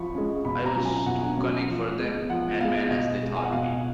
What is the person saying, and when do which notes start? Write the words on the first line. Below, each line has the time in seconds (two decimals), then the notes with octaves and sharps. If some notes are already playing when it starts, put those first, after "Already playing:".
I was too cunning for them, madman as they thought me.
Already playing: F3 B5 C#6
0.14 G#3 C#4
0.45 B2 B5
0.66 A#5
0.76 F#3 C#4
0.85 G#5
1.06 B2 F#5
1.37 F#3 C#4
1.68 F3
1.99 G#3 B3
2.29 F3 F#5
2.60 G#3 B3 F5
2.90 B2 D#5
3.22 G#3 B3
3.36 G#5
3.44 F#5
3.52 B2 F5